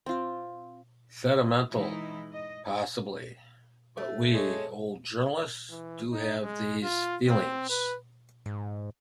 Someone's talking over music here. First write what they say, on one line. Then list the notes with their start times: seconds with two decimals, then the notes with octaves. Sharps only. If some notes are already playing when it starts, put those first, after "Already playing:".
Sentimental, possibly, but we old journalists do have these feelings.
0.06 C4 F4
1.71 E3 G#3 D#4 E4
2.32 D#5
3.97 A3
4.34 G#3 A4 C#5
5.70 E3
6.12 D#4
6.41 G#3
6.83 F4
7.27 C4
7.69 B4
8.46 G#2